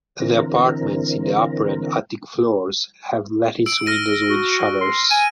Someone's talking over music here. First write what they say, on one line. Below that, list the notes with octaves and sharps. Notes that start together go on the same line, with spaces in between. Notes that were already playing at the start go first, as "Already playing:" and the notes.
The apartments in the upper and attic floors have lattice windows with shutters.
D3 E3 C4 A#4
E6 D7
F6 A#6 D#7
F#4
C6
G#5 D#7